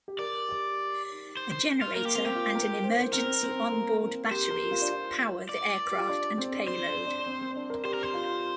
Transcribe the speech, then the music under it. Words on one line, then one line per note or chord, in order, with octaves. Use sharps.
A generator and an emergency onboard batteries power the aircraft and payload.
G4
A#4 D5
G4
C5
C5
F4
A#3 A#4
G4
C4 F4
G4
F4
A#4
C5
A#4
C5
C4 A#4
C4
A#3
C4
G4 C5
A#4
F4
D4
F4
D5
G4
F4
D4
C4
D4
C4 C5
D4
D4
C4
C4
D4
A#4
G4 C5
A#4
C5
F4